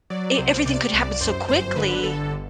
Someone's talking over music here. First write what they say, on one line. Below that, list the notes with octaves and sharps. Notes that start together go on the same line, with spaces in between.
E everything could happen so quickly
F#3 D5
C2 C5
C3 D5
C2 D5
F#2 C5
G1 C5
D3 B4
G1 A4